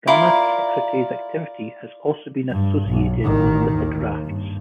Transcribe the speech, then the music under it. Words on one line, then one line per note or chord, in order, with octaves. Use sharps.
Gamma secretase activity has also been associated with lipid rafts.
E4 F4 A#4 D5
G2
B1
A1 D#3
D#2
G2